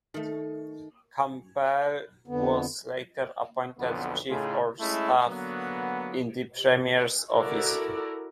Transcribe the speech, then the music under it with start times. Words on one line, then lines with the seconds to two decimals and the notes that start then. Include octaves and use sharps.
Campbell was later appointed Chief of Staff in the Premier's Office.
0.14 D#3 A3 D#4
2.28 F2 D3 B3
3.78 B1 F2 D3 B3
4.29 A2 C#3 A3 D#4 F4 G#4
4.79 G#3 A3 C#4 E4
5.26 D3 F#3 A#3 B3
7.31 E4 F#4 A4 A#4 D5